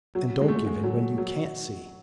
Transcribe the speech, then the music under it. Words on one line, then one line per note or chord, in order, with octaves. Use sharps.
And don't give in when you can't! see!
F#3
G#3
A3
G#3
G#3
F#3
F#3